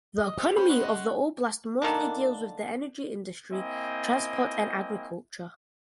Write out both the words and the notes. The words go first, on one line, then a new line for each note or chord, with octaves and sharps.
The economy of the oblast mostly deals with the energy industry, transport and agriculture.
D#5
G2 G3
C#4 C5 G5 B5
G#3 C#4 F#5
D#5
D3 D#3 A#3 D4
A#3 C4 E4 D#5 G5 G#5